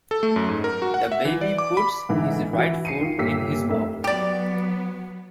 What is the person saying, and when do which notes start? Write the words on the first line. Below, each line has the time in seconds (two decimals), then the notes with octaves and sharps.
The baby puts his right foot in his mouth.
0.11 A4
0.23 A3
0.36 F#2
0.48 G#2
0.64 A#4
0.82 F#4
0.94 F#5
1.12 E5
1.25 E3
1.41 D5
1.58 D6
1.77 B5
2.09 G#2 D3 E3
2.53 E3 F#4
2.85 C7 C#7 D#7
3.01 D#3 F4
3.18 G1 A#2 G4 E6 B6 C7
3.69 F2 A2 A#4 E5
4.04 F#3 B3 G4 D5